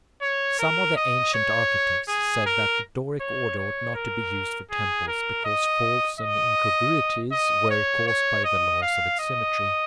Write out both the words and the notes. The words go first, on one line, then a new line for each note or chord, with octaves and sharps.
Some of the ancient architects said that the Doric order ought not to be used for temples, because faults and incongruities were caused by the laws of its symmetry.
C#5
A#4
D#5
C#5
G#4
A#4
C#5
C#5
A#4
G#4
A#4
D#5
D#5
D#5
C#5
C#5
D#5
F5
D#5